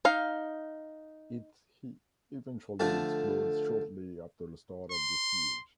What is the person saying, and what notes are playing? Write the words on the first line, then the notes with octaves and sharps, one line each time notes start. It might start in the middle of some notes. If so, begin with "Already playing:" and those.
It/He eventually explodes shortly after the start of the siege.
D#4 F5
D3 F3 A3 A4
C6